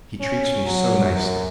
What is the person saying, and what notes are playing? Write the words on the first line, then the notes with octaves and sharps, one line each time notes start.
He treats me so nicely.
C#4
F#3
F#2